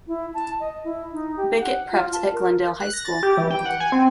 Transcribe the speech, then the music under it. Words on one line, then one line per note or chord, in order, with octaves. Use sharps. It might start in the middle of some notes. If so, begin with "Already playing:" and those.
Bickett prepped at Glendale High School.
E4
A5
D#5
E4
D#4
G4
F#5
F4
A5
A#4
F#6
A#6
A6
G4
E3
G5
F#5
G#5
C4